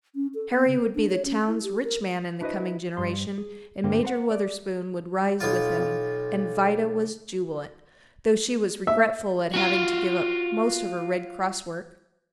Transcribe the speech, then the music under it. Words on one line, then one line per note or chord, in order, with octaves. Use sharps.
Harry would be the town's rich man in the coming generation, and Major Wutherspoon would rise with him, and Vida was jubilant, though she was regretful at having to give up most of her Red Cross work.
C#4
A4
B3
C#3
A#4
D4
C#5
C#4
E4
G4
A#4
D4 E4 F#4 B4 C5 D#5
G2 G3 C6
G#4
G2 D3 G3 A#3 C4 G4
C4 A#4 F#5
D5
B1 F4
E5
F4 F#4